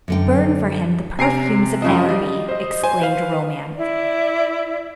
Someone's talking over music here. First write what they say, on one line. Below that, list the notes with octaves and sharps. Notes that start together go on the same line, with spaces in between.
Burn for him the perfumes of Araby! exclaimed romance.
F#2 D3 G5
C3 G#5 A#5 C7 D7
F#2 C#3 F3 D#5
F#3 G3
C5 D#5
C5 G#5
B4 F5
E4 D5